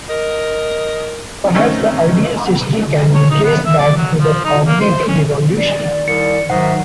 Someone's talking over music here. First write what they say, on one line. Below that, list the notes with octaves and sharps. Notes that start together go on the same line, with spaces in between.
Perhaps the earliest history can be traced back to the cognitive revolution.
A#4 D#5
D#3 A3 C4 C#4 D#4
C#5
D#4
B3
E5
D5
F#3
F3
D#4
A#3
C5
C#4
D#3 D5
C2 C#7
G#2 D#3 F#3 E5 F#5